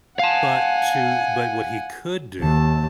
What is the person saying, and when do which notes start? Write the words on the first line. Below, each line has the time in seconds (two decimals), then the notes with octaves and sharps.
But to but what he could do,
0.19 F5 F#5 G#5 A5
2.41 D#2 A5